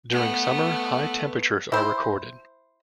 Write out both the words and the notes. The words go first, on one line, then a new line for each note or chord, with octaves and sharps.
During summer, high temperatures are recorded.
A3 B3
E4 C5